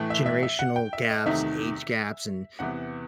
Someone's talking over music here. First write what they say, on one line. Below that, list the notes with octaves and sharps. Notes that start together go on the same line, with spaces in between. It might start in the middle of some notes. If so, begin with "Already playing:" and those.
generational gaps, and age gaps, and,
Already playing: A2 E3 A3
E5
E5
E5
F#5
G5
E5
D#5
E2 C3 D#3 A3 D#4 E5
E2 C3 E3 B3 F#5